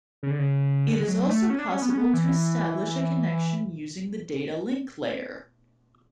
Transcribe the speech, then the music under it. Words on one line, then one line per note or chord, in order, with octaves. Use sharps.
It is also possible to establish a connection using the data link layer.
C#3
D3
C#3
D3
G#3
F#3
A3
C#4
D4
C#4
B3
C#4
B3
E3